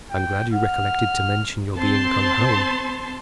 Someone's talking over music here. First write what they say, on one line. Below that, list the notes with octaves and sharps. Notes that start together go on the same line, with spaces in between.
I am glad you recollected to mention your being come home.
G5
F#5 F6
C4 A5 C6